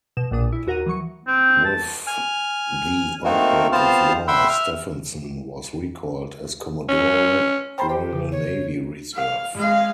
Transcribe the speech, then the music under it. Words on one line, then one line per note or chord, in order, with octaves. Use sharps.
With the outbreak of war, Stephenson was recalled as Commodore, Royal Navy Reserve.
B2 E7
A#1 A#2 D4 D#6
E4
D#2 F#4 A#4 F#5 A#5 D#7
E3 F#3 C#6 C#7
C4
A5
G#5 F6
A3 A#3 C4 D#4 F#4 A#4
B3 C4 F4 C5 A5 F6
E5 F#5 G5 B5 C6 E6
E5 F6
C#4
C5 G5 A#5 B5
G4 C5
C#3
C#5
F5
G#3 F5